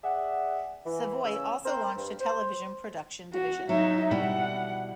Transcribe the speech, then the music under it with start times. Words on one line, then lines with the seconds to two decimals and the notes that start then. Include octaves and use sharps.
Savoy also launched a television production division.
0.04 G#4 D5 E5 F#5
0.86 E3
1.25 C#3 E6
1.66 C4 A#4 C5
1.97 G2
2.21 C5
3.33 F#4
3.69 F#3 D#4 E5
4.11 B2 G3 E4 F#5